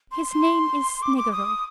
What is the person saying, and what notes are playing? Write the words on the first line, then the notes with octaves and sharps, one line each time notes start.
His name is Snegiryov.
C6
C6
D6
D6
D#6